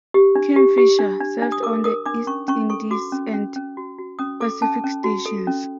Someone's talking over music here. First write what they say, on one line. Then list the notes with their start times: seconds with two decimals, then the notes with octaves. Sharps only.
"Kingfisher" served on the East Indies and Pacific Stations.
0.14 G4
0.35 D4
0.56 G4
0.78 G4
0.99 D4
1.20 D4
1.42 D4
1.52 D#6
1.63 A#4 D6
1.84 A#4 D#6
2.06 D4 D6
2.27 C#4 C#6
2.48 C#4 C#6
2.70 A4 C#6
2.91 F#4 D6
3.12 C#4
3.34 C#4
3.56 C#4
3.77 F#4
3.98 F#4
4.19 C#4 D#6
4.40 A4 D6
4.62 C#4 A5
4.84 C#4
5.04 F#4
5.26 A4
5.47 C#4